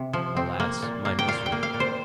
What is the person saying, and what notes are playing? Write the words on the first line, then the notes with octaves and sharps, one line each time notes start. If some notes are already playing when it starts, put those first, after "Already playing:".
'Alas! my misery!
Already playing: C3
F3
C4
A#3
A#2
A#3
G5
A#2 F5
G5
A#3
F5
A#2
C5